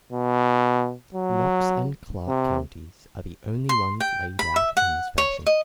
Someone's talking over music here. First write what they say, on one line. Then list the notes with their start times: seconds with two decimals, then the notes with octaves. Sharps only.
Knox and Clark counties are the only ones laid out in this fashion.
0.12 B2
1.14 F#3
2.27 C3
3.69 C6
4.00 G5
4.39 B5
4.56 E5
4.77 F#5
5.18 C#5
5.47 D#5